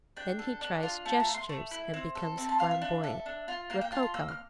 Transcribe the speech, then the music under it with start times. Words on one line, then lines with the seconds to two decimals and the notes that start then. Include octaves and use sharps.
Then he tries gestures, and becomes flamboyant, rococo.
0.17 D4 G5
0.39 A4
0.61 D4
0.83 F4
1.05 A3 A5
1.20 A#5
1.27 A4
1.34 C6
1.49 A3
1.71 E4
1.94 C4
2.15 A4
2.38 C4 A5
2.49 A5
2.59 F4 F5
2.71 E5
2.82 D4
3.04 A4
3.26 D4
3.48 F4
3.70 A#3 F5
3.81 G5
3.92 F4 A5
4.03 C6
4.14 A#3 E6
4.28 F6